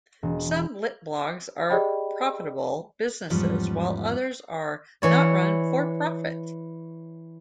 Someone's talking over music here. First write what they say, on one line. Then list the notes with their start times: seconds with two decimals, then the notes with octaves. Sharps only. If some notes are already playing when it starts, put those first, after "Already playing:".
Some litblogs are profitable businesses while others are not run for profit.
0.23 E1
1.70 G4 G#4 D5 D#5 G5 B5
3.30 E2 G#2 F3 G3 B3 C#4
5.02 E3 C#5 D5